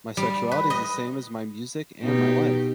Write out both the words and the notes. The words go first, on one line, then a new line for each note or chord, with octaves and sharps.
My sexuality is the same as my music and my life.
G3
B4
D#5
B2 D#4 G4